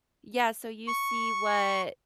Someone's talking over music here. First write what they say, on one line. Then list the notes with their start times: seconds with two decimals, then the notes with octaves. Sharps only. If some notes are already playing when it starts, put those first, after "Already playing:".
Yeah, so you see what
0.88 C#6